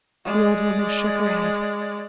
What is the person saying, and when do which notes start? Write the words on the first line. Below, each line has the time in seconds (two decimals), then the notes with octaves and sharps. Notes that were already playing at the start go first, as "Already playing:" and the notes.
The old woman shook her head.
0.25 G#3 D5